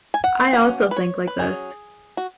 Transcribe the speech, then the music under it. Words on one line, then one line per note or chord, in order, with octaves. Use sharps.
I also think like this.
G#5
F#5
F#3 C#4 F#5
B4
C#5
B4
F#3 C#4 G#4
F#4